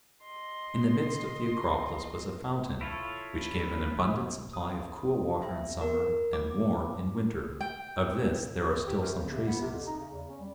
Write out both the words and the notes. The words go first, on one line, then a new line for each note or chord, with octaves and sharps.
In the midst of the Acropolis was a fountain, which gave an abundant supply of cool water in summer and warm in winter; of this there are still some traces.
D#5 C6
E4 F4 A4 C#5
D#6
E5
A#4
D6
G5
G4
F#2
C#3
C3
B3
C3
F2
D#4
C#3
E2
C#4
G3